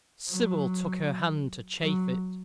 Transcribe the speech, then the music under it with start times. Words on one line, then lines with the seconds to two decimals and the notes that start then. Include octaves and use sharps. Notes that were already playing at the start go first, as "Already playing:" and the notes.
Sybil took her hand to chafe it.
0.29 F#3
1.82 F#3